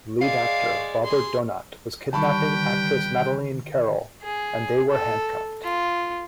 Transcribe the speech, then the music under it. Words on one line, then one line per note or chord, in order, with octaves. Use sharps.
Lead actor Robert Donat was kidnapping actress Madeleine Carroll and they were handcuffed.
G#3 D5 F5
G#4 C6
D3 D#3 G3 B4 G5 A5 B5 C#6
G#4
A4
F4